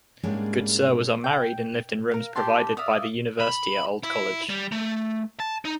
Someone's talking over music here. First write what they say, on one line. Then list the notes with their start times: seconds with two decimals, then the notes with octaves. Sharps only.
Goodsir was unmarried and lived in rooms provided by the University at Old College.
0.23 G#2 G3 G#3 A#3 C#4 D4
1.24 G5
2.12 A#4 F5
2.36 G4 G5 A5 C6
2.77 D5 E5 F5 D#6
3.40 B5
4.03 E4
4.49 G3
4.72 A3
5.40 A5
5.65 D#4